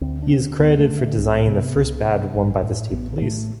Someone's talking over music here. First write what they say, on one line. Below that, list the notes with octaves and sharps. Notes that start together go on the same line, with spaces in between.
He is credited for designing the first badge worn by the state police.
D2 C4
D4
D3 C4
C4
D2 B3
A3
D3
A3
D4
C2 C4
C3 B3
C2
C3
A1
A2
A1 B3
B3
A2 A3